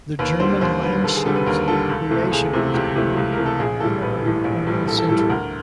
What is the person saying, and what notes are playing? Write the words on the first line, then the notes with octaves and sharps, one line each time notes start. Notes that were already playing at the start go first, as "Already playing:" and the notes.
The German Langshan's creation was completed by the early twentieth century.
D#2 B4
D3 G3 C5
D#2 C5
D3 G3 B4
D#2 A4
G#4
D3 G3 A4
B4
D#2 A#4
D3 G3 A4
C#2
C3 E3 A3
C#2 G#4
C3 E3 A3
C#2 G4
C3 E3 A3
C#2
A#4
C3 E3 A3
A4
A#1 G#4
A2 E3 G3 A4
A#1 B4
A2 E3 G3
A#1
A2 E3 G3
A#1 A4
A4
A2 E3 G3 A4
A4
D2 A#4